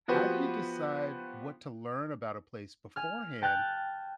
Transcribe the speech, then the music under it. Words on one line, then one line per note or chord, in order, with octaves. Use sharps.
how do you decide what to learn about a place beforehand
F3 B3 F#4 G4 B4 C5
G#5 F6
G5 A5 F6 F#6 A6